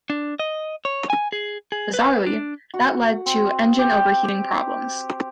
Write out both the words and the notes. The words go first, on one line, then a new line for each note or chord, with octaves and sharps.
Bizarrely, that led to engine overheating problems.
D4
D#5
C#5
G#5
G#4
G#4
B4
D4
F#4
C4
G4
G4